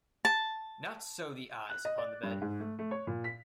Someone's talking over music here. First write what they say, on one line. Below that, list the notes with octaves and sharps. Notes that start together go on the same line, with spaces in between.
Not so the eyes upon the bed.
A5
F#6
D#5
D5
G2
G#2
A3
A3
C#5
A#2
B6